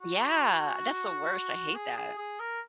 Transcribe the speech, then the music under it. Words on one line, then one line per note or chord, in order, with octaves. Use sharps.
Yeah. That's the worst, I hate that.
F#4
G#4
G#4
G#4
A#4